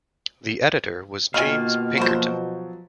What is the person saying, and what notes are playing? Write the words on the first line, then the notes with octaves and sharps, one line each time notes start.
The editor was James Pinkerton.
B2 D#3 A#3 F4 F5 G#5
F3 F#3 F#4 C5